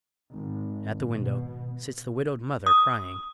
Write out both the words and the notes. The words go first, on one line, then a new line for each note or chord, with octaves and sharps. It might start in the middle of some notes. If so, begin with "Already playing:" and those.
At the window sits the widowed mother crying.
G#1
B2
D#6